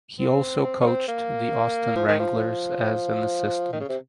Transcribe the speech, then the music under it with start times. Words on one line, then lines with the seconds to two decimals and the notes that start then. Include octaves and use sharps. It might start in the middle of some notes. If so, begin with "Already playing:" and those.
He also coached the Austin Wranglers as an assistant.
0.20 C4
0.63 C4
0.81 C#4
0.87 C4
1.08 A#3
1.96 F3
2.08 D#3
2.19 F3
3.73 D#3
3.80 C#3
3.89 C3